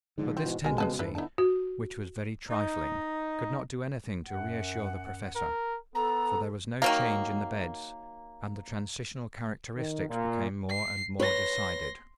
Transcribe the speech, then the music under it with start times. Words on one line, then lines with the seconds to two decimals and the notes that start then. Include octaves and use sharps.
But this tendency, which was very trifling, could not do anything to reassure the Professor; for there was no change in the beds, and the transitional characteristics became more and more decided.
0.18 G#2 D3 F3
0.37 G#2 B2 E3 C4
0.64 B1 F2 B2 G#3 A#4 G#5
0.78 C#3 G#4 B4 A5
0.99 G2 F3 D4 E4 B4
1.15 D3 B3 D#4 E4 A5
1.38 F#4
2.49 D#4
4.26 F#2 F#5
5.36 A#4
5.95 B3 A4 A#5
6.82 D#3 F#3 A#3
9.75 D#3
10.07 A#2
10.69 C7
11.20 B4 C#5 C6 A#6